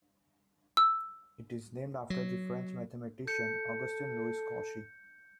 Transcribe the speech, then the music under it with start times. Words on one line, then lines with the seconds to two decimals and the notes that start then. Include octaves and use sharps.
It is named after the French mathematician Augustin Louis Cauchy.
0.77 E6
2.10 F#3
3.27 A4 G6 C#7